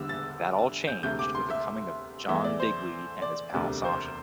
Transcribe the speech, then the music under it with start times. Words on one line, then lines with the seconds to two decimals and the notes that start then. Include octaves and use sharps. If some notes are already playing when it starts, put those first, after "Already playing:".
That all changed with the coming of John Digweed and his pal Sasha.
Already playing: E2 D3 G3 E6
0.09 A6
0.87 G6
1.03 D2 C3 A3 G6
1.19 D6
1.35 C6
1.50 E5
2.28 E2 E3 A3 E5
2.44 D5
2.60 C5
3.22 D5
3.53 E1 D2 C3 A3
3.84 C5